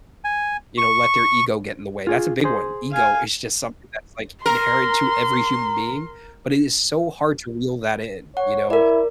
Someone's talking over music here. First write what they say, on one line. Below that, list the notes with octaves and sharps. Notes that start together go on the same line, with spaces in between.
you know, let their ego get in the way. That's a big one. Ego is just something that's, like, inherent to every human being, but, it is so hard to reel that in, you know,
G#5
C#6
F4 G#4
G#4 C5
F5 G#5
A#4 A#5 C6
C#5 F#5
E4 A#4 D5